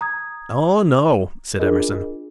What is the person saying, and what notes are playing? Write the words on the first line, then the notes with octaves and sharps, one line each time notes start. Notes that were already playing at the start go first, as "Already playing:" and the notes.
"Oh no," said Emerson.
A#5 D#6 G#6
D4 F4 G#4 A#4 D#5